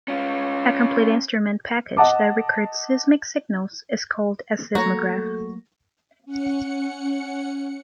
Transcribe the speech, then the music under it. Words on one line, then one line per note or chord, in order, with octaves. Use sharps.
A complete instrument package that records seismic signals is called a seismograph.
C#4 F4
D#5 F#5 A5 D6
F#3 A3 A#3 F#4 A4 C#5 A#5
C#4 F#5 C#7